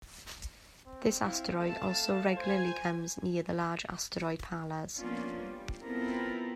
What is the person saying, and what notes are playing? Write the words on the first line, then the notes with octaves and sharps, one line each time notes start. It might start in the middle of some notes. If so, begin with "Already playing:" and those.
This asteroid also regularly comes near the large asteroid Pallas.
C4
E4 F5
A3 A5
C5 G#5
F3 A#3 B3 C#4 D4 F4
G3
B3 C4 E4 F4 A4 A#4